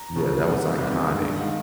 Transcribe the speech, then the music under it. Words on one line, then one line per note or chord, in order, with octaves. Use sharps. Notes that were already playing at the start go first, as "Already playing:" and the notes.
Yeah, that was iconic.
Already playing: A#5
D#2 C#3 F3
C2 C3 D#3 G3 B3 F#5
C2 C3 D#3 G3 B3
G2 D#3 G#3
F#5
D#3 G#3 F5